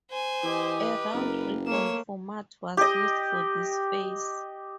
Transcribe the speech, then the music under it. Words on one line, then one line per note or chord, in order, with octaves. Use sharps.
A round robin format was used for this phase.
C5 G#5
E3 G4 D#5
B4
F#1 A#4
A3 A#3 C#5 E7
G4 D#5